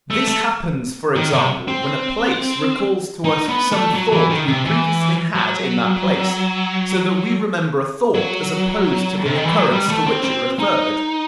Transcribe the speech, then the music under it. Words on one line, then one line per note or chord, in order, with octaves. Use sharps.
This happens, for example, when a place recalls to us some thought we previously had in that place, so that we remember a thought as opposed to the occurrence to which it referred.
A3
A3
D#3
C3
C4
D#4
B3
A3
F#3
E3
D#3
C3
E3
F#3
F#3
C3
D#3
E3
F#3
G3
A3
C4
C4
D#4